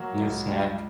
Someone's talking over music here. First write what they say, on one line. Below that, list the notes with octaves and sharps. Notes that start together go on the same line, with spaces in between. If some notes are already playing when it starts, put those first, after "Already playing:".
New snack.
Already playing: F#3 A#3 F#4
C#2
C#2